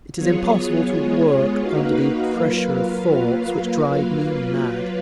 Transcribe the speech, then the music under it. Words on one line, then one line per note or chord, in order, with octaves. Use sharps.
It is impossible to work under the pressure of thoughts which drive me mad!
F#3 B3 F4 G#4 C#5
G#3 B3 F4 G#4 C#5
A#3 D#4 F#4 B4 F5
F#3 A#3 F4 B4 F5